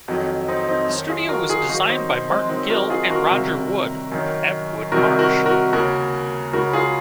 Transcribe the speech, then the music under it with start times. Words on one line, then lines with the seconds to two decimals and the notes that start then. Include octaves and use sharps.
The studio was designed by Martin Gill and Roger Wood at Wood Marsh.
0.08 F2 D#3 F#3
0.48 C4 D#4
0.69 C4 D#4
0.89 F#2 D#3
1.09 F4 G#4
1.28 F#4 A#4
1.49 F4 G#4
1.69 F#2 D#3 D#4 F#4
1.89 C4 D#4
2.10 C4 D#4
2.30 G#3 C4
2.50 F#2 D#3 C4 D#4
2.70 F#4 A#4
2.90 F4 G#4
3.10 F#4 A#4
3.30 C2 C3 D#3
4.12 F#2 D#3
4.92 C2 C3 D#3 F#4 A#4
5.19 F#4 A#4
5.46 F#4 A#4
5.73 D#2 C#3 F#4 A#4
6.53 C#2 C#3 F#4 A#4
6.73 F4 G#4